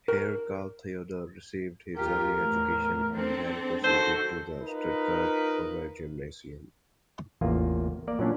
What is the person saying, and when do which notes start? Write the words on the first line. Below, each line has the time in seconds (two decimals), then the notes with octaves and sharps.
Here Karl Theodor received his early education, and then proceeded to the Stuttgart Obergymnasium.
0.08 A#4
1.97 D#2 F4 G4 A#4
2.35 E2 A2
3.12 C4 D4 A4
3.84 D#3 F#4 A4 C5
4.61 D#4 F4 A#4 B4
7.41 A1 E2 A#3 F4
8.08 A#3 D5
8.19 A#2 F#3 C#4 D4